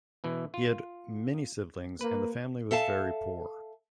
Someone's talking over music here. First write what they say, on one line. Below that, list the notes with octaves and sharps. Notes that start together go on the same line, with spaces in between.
He had many siblings and the family was very poor.
B2 E3
F4
A#3 B4
A4 E5 F5 A5